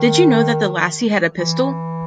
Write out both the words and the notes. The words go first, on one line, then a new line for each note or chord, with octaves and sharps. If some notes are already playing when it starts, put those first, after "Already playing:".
Did you know that the lassie had a pistol?
Already playing: D#3
E3